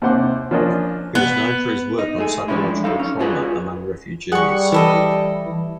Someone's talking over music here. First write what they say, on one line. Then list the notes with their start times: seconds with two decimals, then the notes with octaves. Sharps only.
He was known for his work on psychological trauma among refugees.
0.02 D#2 C3 C5 F#5 C6 D6
0.51 F3 A#3 C#4 D4 A#4 D#5
1.15 B3
1.99 D#4
2.18 A3 G#4
2.48 E3 F3 G#3 C#4 D4 E4
2.84 F#3 D#4 A4 F5
2.99 C#4
3.19 B3 C#4 F4 F#4 G#4 B4
4.32 G3 G#4 F#5 C#6
4.72 E3 E4 A4 D#5